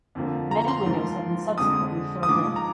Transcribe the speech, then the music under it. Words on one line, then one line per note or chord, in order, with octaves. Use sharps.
Many windows have been subsequently filled in.
F2 D3 F3 A#3
A#5
C6
G#2 F3 A#3
F2 D3 G#3 D#6
D#6
G#2 F3 G#3 D6
A#5